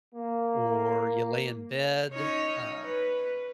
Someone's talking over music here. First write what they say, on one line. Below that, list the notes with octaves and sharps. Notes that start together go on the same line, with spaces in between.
or you lay in bed, uh,
A#3
C#4 D#4 C#5
B4